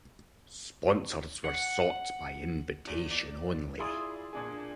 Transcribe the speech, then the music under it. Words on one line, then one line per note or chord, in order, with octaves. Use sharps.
Sponsors were sought by invitation only.
F#5
E2
D5
E4 F4 G#4 D5 C6 D#6
A#2 D4 G#4